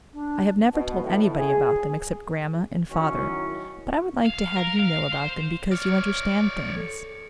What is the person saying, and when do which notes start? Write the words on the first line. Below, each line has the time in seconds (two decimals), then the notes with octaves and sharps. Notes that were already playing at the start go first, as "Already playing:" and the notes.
I have never told anybody about them except grandma and father but I would like to have you know about them because you understand things.
0.12 D4
0.75 B2
1.04 A2
1.38 G#4
2.91 D#3 F#3 C#4 E4
4.25 F5
4.56 A#4
4.79 F5
5.12 C5
5.72 C#5 D5 F6
6.76 A4 C#7